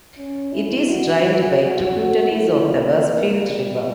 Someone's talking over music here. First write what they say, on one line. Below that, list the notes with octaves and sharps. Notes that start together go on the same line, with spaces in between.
It is drained by tributaries of the Westfield River.
C#4
E4
F#4
E4
A#3
A#3
G3